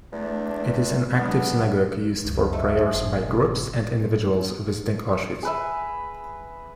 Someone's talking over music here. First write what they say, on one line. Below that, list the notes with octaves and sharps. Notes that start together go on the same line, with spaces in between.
It is an active synagogue used for prayers by groups and individuals visiting Auschwitz.
E2 A3 D4
F#3 G#3 B3 D4
D#1 C#2 F#2
A3 D#4
G1 A2 F3 G#4
C3
G#4 B4 E5